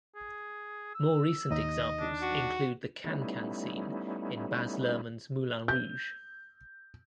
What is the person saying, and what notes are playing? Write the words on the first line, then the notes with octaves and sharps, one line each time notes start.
More recent examples include the Can-can scene in Baz Luhrmann's Moulin Rouge!
G#4
E6
D#2 D#4 D#5
D4
F#4
G3 A3 B3 C#4 D#4 E4
G6